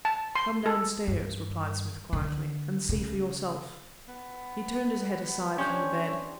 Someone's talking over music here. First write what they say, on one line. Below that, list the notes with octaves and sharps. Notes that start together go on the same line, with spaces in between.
"Come downstairs," replied Smith quietly, "and see for yourself." He turned his head aside from the bed.
A5
C6
A4
G2
D3
C#3
B3
C#4 D4 G4 C5 C#5